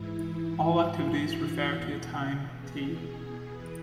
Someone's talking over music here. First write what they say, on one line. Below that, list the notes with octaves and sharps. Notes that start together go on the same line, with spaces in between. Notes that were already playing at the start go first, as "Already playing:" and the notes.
All activities refer to a time "t".
Already playing: G#2 E3 E4
F#4
E2 B2
G#4
E3 B4